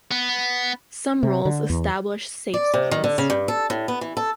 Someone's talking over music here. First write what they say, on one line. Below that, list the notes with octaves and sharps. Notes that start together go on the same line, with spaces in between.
Some rules establish safe-zones.
B3
C3
D3
E2
D5
C3
D#3
D3
C#3
G2
A4
A2
B3
E3
A4